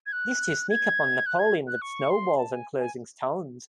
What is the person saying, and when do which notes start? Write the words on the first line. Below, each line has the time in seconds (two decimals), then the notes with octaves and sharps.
These two sneak up on Napoleon with snowballs enclosing stones.
0.06 G#6
0.12 F#6
0.70 G#6
1.26 F#6
1.39 G#6
1.67 F#6
1.82 C#6
2.10 C6
2.38 A5
2.52 G#5
2.80 G#5